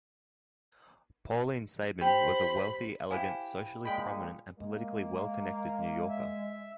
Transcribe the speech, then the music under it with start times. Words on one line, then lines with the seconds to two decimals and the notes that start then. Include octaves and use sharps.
Pauline Sabin was a wealthy, elegant, socially prominent, and politically well-connected New Yorker.
2.01 G4 C5 B5
3.11 E4 G4 C5 F5 G#5
3.85 A#2 G#3 G5 B5
4.58 G#3 A#3
6.09 E5